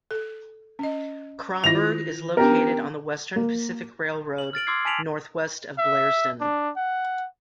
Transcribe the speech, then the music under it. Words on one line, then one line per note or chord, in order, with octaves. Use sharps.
Cromberg is located on the Western Pacific Railroad, northwest of Blairsden.
A4
C#4 D#5
D#3 E4 F4 A#6 F7
B3 C#4 D4 G4 A#4
A#3
F#7
F6 A6 D7 F#7
C6 D6 E6 F6 G#6 C7
G#5 A5 B6 D7 F7 F#7
E5
D4
F#5